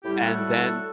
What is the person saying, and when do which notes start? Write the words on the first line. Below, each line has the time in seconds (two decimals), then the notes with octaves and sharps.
and then
0.04 A2 G3 E4 G4
0.23 F#4 A4